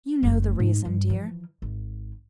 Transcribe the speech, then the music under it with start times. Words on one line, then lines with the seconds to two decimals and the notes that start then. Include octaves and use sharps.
'You know the reason, dear.
0.23 F#1 A3
0.60 G#2
0.85 G2
1.10 E3 F3
1.62 G#1